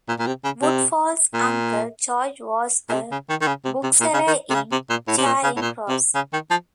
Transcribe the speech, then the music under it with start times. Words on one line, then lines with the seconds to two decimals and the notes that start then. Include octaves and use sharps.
Woodfall's uncle George was a bookseller in Charing Cross.
0.09 A#2
0.19 A#2
0.27 C3
0.44 C#3
0.62 C3
1.34 A#2
2.89 A#2
2.93 C3
3.12 C#3
3.29 D#3
3.41 D#3
3.47 C#3
3.65 C3
3.83 C3
4.00 A#2
4.14 C#3
4.27 D#3
4.50 C3
4.54 C#3
4.72 C3
4.90 A#2
5.07 A2
5.17 C3
5.26 A#2
5.43 C#3
5.56 A2
5.61 A#2
5.88 C3
6.15 C#3
6.33 D#3
6.50 F3